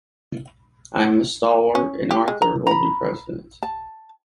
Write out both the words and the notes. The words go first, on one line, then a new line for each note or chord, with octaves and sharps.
I am a Stalwart and Arthur will be President.
C#4
G4
G#3
A#5
A#5 B5
A5